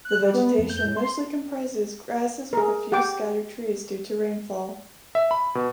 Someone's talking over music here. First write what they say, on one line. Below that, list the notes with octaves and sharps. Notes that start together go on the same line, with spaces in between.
The vegetation mostly comprises grasses with a few scattered trees due to the rainfall.
F#6
G3
B3
F2
G6
A2
C6
G#4 A#4
G4 F#5 G5 D6
E5
B5
B2